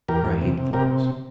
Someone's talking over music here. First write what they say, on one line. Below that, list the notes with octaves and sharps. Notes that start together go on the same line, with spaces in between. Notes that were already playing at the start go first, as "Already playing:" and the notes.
For I hate Florence.
E2 G4 A#4
E2
C3
C3
C3 G4 A#4